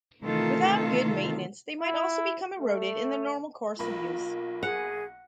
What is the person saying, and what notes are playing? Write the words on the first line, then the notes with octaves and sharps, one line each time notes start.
Without good maintenance, they might also become eroded in the normal course of use.
C3 D#3 E3 A3 F4 A4
E4
A3
B1 A#3 F4 B5
G#4 F#5 G#5